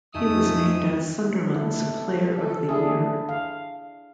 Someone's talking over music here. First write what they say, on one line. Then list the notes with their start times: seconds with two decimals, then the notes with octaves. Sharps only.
He was named as Sunderland's Player of the Year.
0.15 F2 A3 D#4 G#5 D#6 E6
1.55 E4 A4
2.69 D4 E4 G#4
3.29 F5